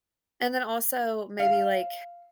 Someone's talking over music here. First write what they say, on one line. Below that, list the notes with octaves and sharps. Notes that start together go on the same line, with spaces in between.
and then, also maybe, like,
F5